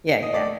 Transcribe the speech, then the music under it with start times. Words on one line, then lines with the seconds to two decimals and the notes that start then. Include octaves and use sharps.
Yeah, yeah.
0.23 D#5
0.33 A3 D5